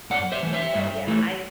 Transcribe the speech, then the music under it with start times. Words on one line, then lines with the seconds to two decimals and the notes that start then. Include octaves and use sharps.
Mm, but yeah, I
0.10 F#2 D5 F#5
0.32 C5 E5
0.43 E3 A3
0.53 C5 E5
0.75 G2
1.07 E3 A3